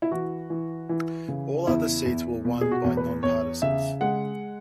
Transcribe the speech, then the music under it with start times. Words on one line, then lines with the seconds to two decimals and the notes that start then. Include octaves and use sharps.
All other seats were won by non-partisans.
0.02 E4
0.11 E3 F#4
0.50 E3
0.89 E3
1.28 C#3
1.67 E2 E4
2.06 E2
2.45 B2
2.61 G#4
2.71 F#4
2.84 E2
2.97 B4
3.23 E2 C#5
3.62 C#3 E5
4.01 G#3 F#5